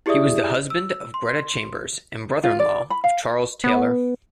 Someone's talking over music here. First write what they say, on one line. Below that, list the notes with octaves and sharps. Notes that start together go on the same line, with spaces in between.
He was the husband of Gretta Chambers and brother-in-law of Charles Taylor.
E4 G4 G#4 D5 E5 D#6
E6
C6
F4
D5
B5
F5
B3